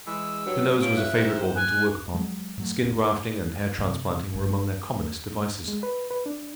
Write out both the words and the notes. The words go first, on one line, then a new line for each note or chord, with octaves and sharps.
The nose was a favorite organ to work upon. Skin-grafting and hair-transplanting were among their commonest devices.
E3 G#3 E6
G2 F#3
B2 C#4 F4 D7
E5 F#6
D#4 G4 C5
G#5 F#6
F#3 G#3
G#2 F#3 A3
F1
C3
G#1
G#3
B4
B4
D4